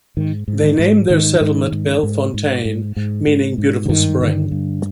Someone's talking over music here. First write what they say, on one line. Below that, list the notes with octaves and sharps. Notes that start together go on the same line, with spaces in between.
They named their settlement Bellefontaine, meaning 'beautiful spring.
G#2 D#3
G#2
D#3
G#2
G#2 D#3
G#2
G#2
G#2
G#2
G#2
G#2
G#2
G#2
D3
G2 D#3
D3
G2